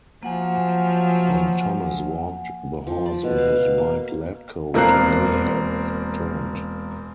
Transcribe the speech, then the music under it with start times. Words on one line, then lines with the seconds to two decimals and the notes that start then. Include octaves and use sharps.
When Thomas walked the halls in his white lab coat, many heads turned.
0.23 F3 F#3 A#3 F#5 G#5
2.87 F3
3.06 D5
3.24 B2
3.38 F5
3.56 F5
3.78 A#3
4.74 E1 A#3 C4 A#4 F#6 C7